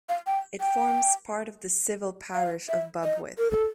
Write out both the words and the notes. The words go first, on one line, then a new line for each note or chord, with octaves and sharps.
It forms part of the civil parish of Bubwith.
F5
G5
G5
F5
E5
D#5
A#4
A4